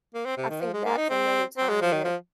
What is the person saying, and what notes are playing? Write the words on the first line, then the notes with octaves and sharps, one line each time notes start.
I think that's another time where
A#3
C4
C3
D#3
F3
G#3
A#3
D#4
C4
C4
G#3
F3
D#3
F3